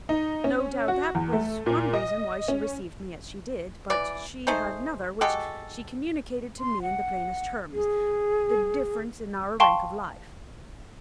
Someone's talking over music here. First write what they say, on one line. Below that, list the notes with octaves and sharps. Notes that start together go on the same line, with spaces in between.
"No doubt that was one reason why she received me as she did; but she had another, which she communicated to me in the plainest terms--the difference in our rank of life."
D#4
C#4
F#4
E2
A3
A#2
D#5
C#4
E3 D5
A3 D#4 G#4 C5
G#3 F#4 G4 A4
C6
F#5
G#4
F5 G5 A5 C6 C#6